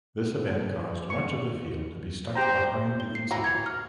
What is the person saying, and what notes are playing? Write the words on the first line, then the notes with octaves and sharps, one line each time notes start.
This event caused much of the field to be stuck behind the incident.
C#6
G4 C5 G5 A#5
G7
C7
E3 F#4 A#5
G#6 C#7 F7
F6